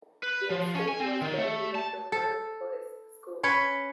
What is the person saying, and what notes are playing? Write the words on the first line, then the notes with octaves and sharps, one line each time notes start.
The estate was then given to Hahn for his school.
B4
F3
C#4
G#5
C4
D#3
A3
A5
A4
C#4 B4 C#5